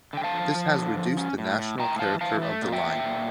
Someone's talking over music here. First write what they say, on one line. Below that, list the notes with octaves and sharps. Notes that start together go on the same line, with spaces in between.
This has reduced the national character of the line.
D3 G5
F5 A5
F3
F3
D3
F3
C#4
A2
A2
A2 G5 A#5
E3 F5 A5
E3 F5 A5
A3
A#2
E5 G5
A#2
A#2